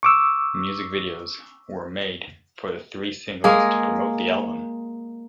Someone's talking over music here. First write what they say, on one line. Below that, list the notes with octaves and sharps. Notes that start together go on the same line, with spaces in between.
Music videos were made for the three singles to promote the album.
C#6 D6 E6
G#3 A#3 G#4